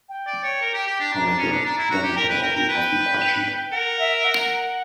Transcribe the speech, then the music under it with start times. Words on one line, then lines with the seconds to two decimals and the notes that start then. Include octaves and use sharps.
However, their methodology has been questioned.
0.09 G5
0.27 D5
0.44 C#5
0.62 A#4
0.74 G4
0.87 G4
1.00 D4
1.13 D4 A#5
1.26 D4
1.39 C#4
1.52 D4
1.65 D4
1.78 E4
1.91 F#4
2.04 G4
2.16 A#4 G5
2.30 B4
2.43 A#4
2.56 A#4
2.69 B4
3.72 A#4 F#5
3.99 E5
4.24 F#5